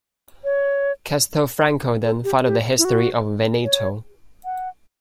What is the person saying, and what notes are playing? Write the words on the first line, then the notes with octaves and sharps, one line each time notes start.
Castelfranco then followed the history of Veneto.
C#5
A4
G4
G4
E4
F#4
C#5
F#5